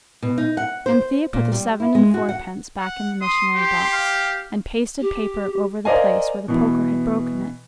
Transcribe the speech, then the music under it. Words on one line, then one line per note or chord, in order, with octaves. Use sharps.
Anthea put the seven-and-fourpence back in the missionary-box, and pasted paper over the place where the poker had broken it.
B2
D#4
F#5
C5
A#2
G3
E4
G#3
F#4
F#5
F#5
C6 D#6
G4
F5
G4
A#4 C5 D5 D#5 F5 G#5
B2 E3